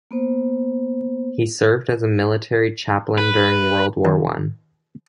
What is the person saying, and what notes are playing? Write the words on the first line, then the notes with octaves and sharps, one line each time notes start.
He served as a military chaplain during World War One.
A#3 B3 C5
B4
D#2